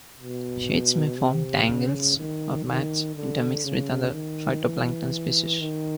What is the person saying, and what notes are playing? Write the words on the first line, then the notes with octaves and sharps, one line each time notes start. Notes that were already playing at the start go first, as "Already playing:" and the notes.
Sheaths may form tangles or mats, intermixed with other phytoplankton species.
B2
C3
C#3
D#3
D#3
D3
C#3
D#3
E3
D#3